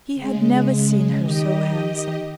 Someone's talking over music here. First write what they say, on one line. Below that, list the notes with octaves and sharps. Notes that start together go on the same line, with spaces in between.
He had never seen her so handsome.
C#3 G#3
D#3 G4 D#5